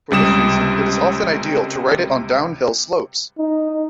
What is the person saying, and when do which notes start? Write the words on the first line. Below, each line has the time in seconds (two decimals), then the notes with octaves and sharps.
For this reason, it is often ideal to ride it on downhill slopes.
0.11 C#2 C3 G3 D#6 E7
3.38 D#4